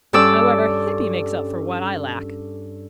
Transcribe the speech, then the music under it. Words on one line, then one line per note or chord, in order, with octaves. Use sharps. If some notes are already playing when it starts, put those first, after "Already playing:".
However, Hippy makes up for what I lack.
G2 C#4 A4 D5 E6